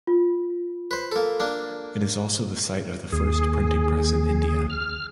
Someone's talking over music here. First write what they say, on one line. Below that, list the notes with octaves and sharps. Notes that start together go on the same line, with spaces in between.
It is also the site of the first printing press in India.
F4
B4 C5
A#3 A4
A#3 D4
D#2 G#4
F6